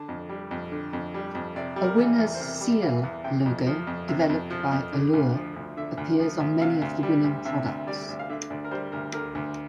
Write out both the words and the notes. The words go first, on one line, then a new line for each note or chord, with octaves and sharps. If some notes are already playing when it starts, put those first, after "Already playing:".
A "winners' seal" logo, developed by "Allure", appears on many of the winning products.
Already playing: D3 A5
F2
G3
F2
D3
F2
G3
F2
C3 D5
G3
A#4
E3
A#4
E2
C5
C3 A#4
G3
E3 F5
E2
C3 G5
F2
F3
F2
C3
F2
F3
F2
D3
D2
F3
D2
D3 E5
D2
F3
D2
C3 F5
D2
G3
D2
C3 E5
D2
G3 D5
D2
F5
D3 E5
D2 D5
A#4
G3 C5
D2 A#4
D3 A#4
D2